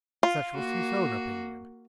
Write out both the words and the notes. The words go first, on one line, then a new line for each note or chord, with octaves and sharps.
Such was his own opinion.
F4
A#3 F#4